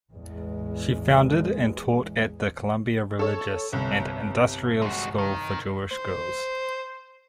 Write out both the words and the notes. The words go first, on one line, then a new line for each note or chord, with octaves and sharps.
She founded and taught at the Columbia Religious and Industrial School for Jewish Girls.
A1 E2 G#3
A4 C#5
G1 C2
G#3 F#4
D#3
C5